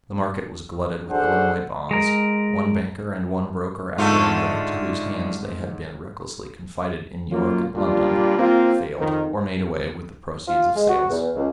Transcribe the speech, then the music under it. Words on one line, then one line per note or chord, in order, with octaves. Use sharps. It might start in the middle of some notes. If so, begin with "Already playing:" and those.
The market was glutted with Illinois bonds; one banker and one broker after another, to whose hands they had been recklessly confided in New York and London, failed, or made away with the proceeds of sales.
D4 F#4 G#4 A4 C5 F#5
G#3 A#4
G#2 D3 A3 F4
F#2 F#3 A#3 F4
A#2 G3 D4 F4
A#3 C4 F4
F2 D#3
F4
G#3
F#4
E2
C#2